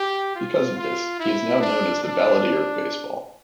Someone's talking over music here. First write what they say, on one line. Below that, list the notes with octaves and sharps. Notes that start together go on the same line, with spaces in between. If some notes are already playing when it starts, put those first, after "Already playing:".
Because of this, he is now known as "The Balladeer of Baseball".
Already playing: G4
F4
F4
E4
D4
D4